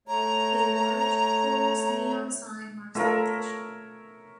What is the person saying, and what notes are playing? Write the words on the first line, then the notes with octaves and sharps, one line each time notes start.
A large "Croll's" neon sign marks the location.
A3 C#5 A#5
A3 F4 A4 A#4 C#5 E5